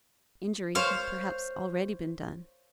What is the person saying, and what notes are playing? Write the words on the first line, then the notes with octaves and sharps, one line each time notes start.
Injury had perhaps already been done.
C5 C#5 F5